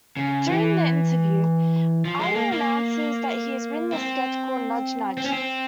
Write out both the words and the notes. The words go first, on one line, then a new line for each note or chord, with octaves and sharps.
During the interview, Idle announces that he's written a sketch called "Nudge Nudge".
C#3
E3
F3
G#3
A#3
A#3
C4
C4
C#4
C4